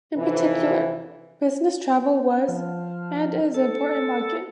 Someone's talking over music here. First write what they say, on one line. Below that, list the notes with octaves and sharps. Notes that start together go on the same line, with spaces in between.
In particular, business travel was and is an important market.
F2 C3 E3
F3
A4